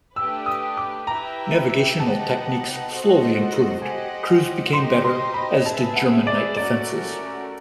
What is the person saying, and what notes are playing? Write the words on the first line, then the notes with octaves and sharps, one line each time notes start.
Navigational techniques slowly improved, crews became better, as did German night defenses.
A3 D4 G4 B4 E6
D#6
D6
E4 G4 B4 E5 G5 A#5
D#4 G4 B4 D#5 F#5 A5
F#4 A4 C5 D#5 F#5
G4 C5 D#5 F#5 G#5
D#4 G4 C5 D#5 C6
C6
B5
G#4 B4 E5 A5
F#5
D5
A3 C#4 F#4 A#4 D5